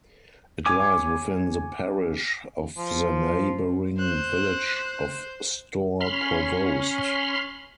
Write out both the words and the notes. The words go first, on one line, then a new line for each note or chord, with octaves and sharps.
It lies within the parish of the neighbouring village of Stour Provost.
C#5 G#5 D6
F3
C5 F#6
C#4 B5 C6 F6